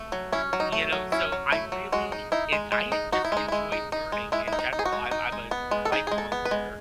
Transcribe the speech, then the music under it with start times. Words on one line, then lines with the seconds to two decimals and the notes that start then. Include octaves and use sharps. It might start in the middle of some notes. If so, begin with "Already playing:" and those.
you know? So I really and I just enjoy learning in general. I'm I'm a lifelong learner.
Already playing: A3
0.12 F#3
0.32 C#4 E4
0.53 F#3
0.60 D#4
0.72 A3
0.92 F#3
1.12 C#4 E4
1.32 F#3
1.52 A3 E4
1.72 F#3
1.92 G#3 F#4
2.12 D#4
2.32 D#4 E4
2.52 G#3
2.72 G#3
2.92 D#4
3.12 D#4 F#4
3.25 E4
3.32 G#3 D#4
3.48 G#3 E4
3.72 D#4
3.92 D#4
4.12 G#3
4.32 G#3 E4
4.48 D#4 E4
4.59 D#4
4.73 D#4
4.79 G#4
4.85 F#4
4.93 G#3
5.11 D#4
5.32 G#3
5.51 B3
5.71 G#3
5.85 A4
5.92 D#4 G#4
6.07 G#3 G#4
6.18 A4
6.32 B3
6.45 B4
6.51 G#3